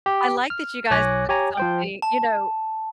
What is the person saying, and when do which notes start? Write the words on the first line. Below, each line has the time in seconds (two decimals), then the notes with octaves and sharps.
I like that you guys took something You know,
0.06 G4
0.50 F6
0.91 B1 C#5 G#5 D6 F#6 A#6
1.29 G4 C#5 G#5 A#5
1.57 F3 C5 G5
2.02 A5